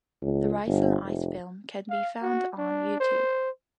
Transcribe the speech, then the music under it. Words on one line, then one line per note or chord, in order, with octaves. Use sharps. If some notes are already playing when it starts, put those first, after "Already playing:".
The Rice on Ice film can be found on YouTube.
C#2
G1
F1
F5
F#4
D4
C5